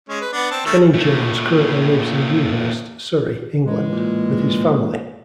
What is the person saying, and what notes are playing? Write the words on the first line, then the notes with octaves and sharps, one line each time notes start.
Kenney Jones currently lives in Ewhurst, Surrey, England, with his family.
G#3 C#4
B4
B3 D4
C4 A5
D#3 A3 E6
A#2 A3
A2 E3 G#3
A#2